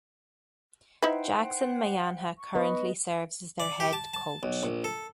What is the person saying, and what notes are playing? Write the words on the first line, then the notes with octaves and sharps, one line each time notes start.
Jackson Mayanja currently serves as their head coach.
D#4 E4 B4 C5 F#5 G5
C#6
B3 B4 D#5
D5
G4
A5
A5
B1
A#1
A4